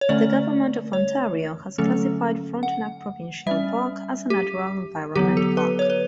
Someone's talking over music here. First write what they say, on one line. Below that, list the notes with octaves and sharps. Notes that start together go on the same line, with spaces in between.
The Government of Ontario has classified Frontenac Provincial Park as a natural environment park.
C#5
D3 A3 C#4 D5
C#5
D3 F#3 A3 C#4 A4
F#5
G3 C#4 E5
G4
D3 F#3 B3 G4
A4
B4
C#5
B4